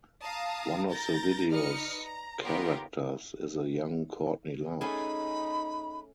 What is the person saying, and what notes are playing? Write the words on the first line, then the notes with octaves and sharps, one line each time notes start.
One of the video's characters is a young Courtney Love.
F5 A5 A#5 D#6
A#4 A#5 G6 A6 A#6
D#4 B4 D5 D#5 F6 C#7
A#5
B3 F4 G4 A#4 B4 C#5
A3 C#4 D#4 G#4 B5